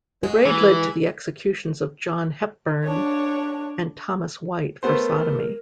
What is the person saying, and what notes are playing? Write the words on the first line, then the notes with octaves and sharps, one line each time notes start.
The raid led to the executions of John Hepburn and Thomas White for sodomy.
G#3 F#4
E3
D4 C#5
A3 B3 A#4 C5